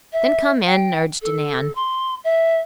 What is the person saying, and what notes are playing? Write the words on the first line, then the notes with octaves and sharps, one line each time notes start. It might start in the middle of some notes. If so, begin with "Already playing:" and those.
"Then come in," urged Nan.
E5
G5
A4
C6
E5